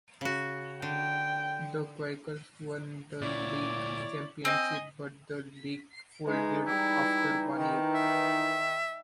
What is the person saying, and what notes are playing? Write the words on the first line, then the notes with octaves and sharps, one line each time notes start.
The Quakers won the league championship but the league folded after one year.
C#3 F#4
D3 G5
D2 A#2 E4 C#5 D5
C4 D#5 G#5
E3 G#3 D#4
G3 E4
D#3
E5